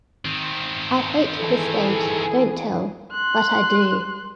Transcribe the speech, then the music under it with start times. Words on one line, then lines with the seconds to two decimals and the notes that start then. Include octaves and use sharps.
I hate the stage, don't tell-but I do.
0.25 D#3 C4
1.38 E3 G#4 A4
3.12 C6 F#6